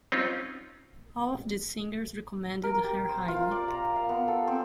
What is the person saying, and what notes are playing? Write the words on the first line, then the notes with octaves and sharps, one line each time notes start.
All of these singers recommended her highly.
C4 C#4 D#4 F4
A#4
G4
C5
F4
D5
A#5
F5
B3
A4
C4